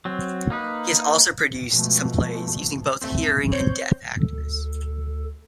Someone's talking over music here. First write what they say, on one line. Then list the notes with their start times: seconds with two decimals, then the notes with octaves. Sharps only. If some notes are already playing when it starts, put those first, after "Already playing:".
He has also produced some plays, using both hearing and deaf actors.
0.05 F#3 C4
0.50 A#3 D#4 B4
1.69 B2 F3 G#3 A3
3.02 A3 C4
3.52 C4 C#5 G6
4.20 D2 A4